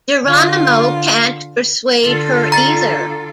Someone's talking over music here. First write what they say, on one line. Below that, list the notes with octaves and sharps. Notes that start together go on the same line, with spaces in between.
Geronimo can't persuade her either.
D3 F4
D3 F4 A4
A#5 A6